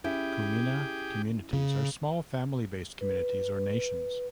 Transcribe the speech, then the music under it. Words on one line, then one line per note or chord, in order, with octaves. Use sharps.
Kumina communities are small family based communities or nations.
C#4 E4 G4 G#4 G5
C#3
B4